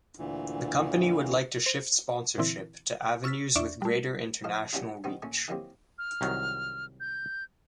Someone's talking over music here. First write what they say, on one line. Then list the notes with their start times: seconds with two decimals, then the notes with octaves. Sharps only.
The company would like to shift sponsorship to avenues with greater international reach.
0.18 D2 A#2 E3
1.66 C5
2.38 A#2 D3 E3 C4 E4
3.24 C#6 E6 F6 A6 B6
3.55 E2 D4 D5 E5 C#6
3.82 G3 A3
4.44 A2 F3 A4 D#5 F5
4.73 E3 G3 B3 C#4 D4 F4
5.04 B2 D#3 G3 B3 C4 D#4
5.22 A#2 A3 C#4 C#5 G#5
5.48 D#3 E3 F#3 A#3 C4 G4
5.98 F6
6.21 C2 D#3 F#3
7.00 G6